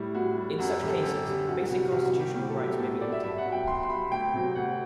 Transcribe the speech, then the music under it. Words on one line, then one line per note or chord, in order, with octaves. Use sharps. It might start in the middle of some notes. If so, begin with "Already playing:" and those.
In such cases, basic constitutional rights may be limited.
Already playing: A2 G3 E4
A2 F#4
G3
F#2 F#4
D3 G3 G4
A4
F#2 G4
D3 G3
C2 F#4
C3 G3 F#4
C2 F#4
F#4
C3 G3
G4
A2 G4
A4
F#3
G4
A2 A4
F#3 D5
E5
G2 E5
F#5
F#3
G5
G2 C6
C6
F#3 B5
D2 G5
C3 F#3
D2 F#5